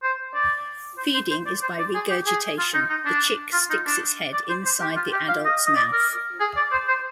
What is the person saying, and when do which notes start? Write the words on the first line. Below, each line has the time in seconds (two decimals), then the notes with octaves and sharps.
Feeding is by regurgitation, the chick sticks its head inside the adults mouth.
0.03 C5
0.35 D5
0.98 C5
1.14 C5
1.31 C5
1.46 D5
1.62 C5
1.79 D5
1.95 G#4
2.10 G4
2.27 G#4
2.58 F4
2.74 D#4
2.90 D#4
3.06 D4
3.53 F4
3.70 D#4
3.86 D4
4.33 D5
4.49 C5
4.65 C5
4.81 G4
4.96 F4
5.12 G4
5.28 F5
5.45 D#5
5.67 D#5
5.76 D5
5.93 A#4
6.40 G#4
6.57 D5
6.72 C5
6.88 C5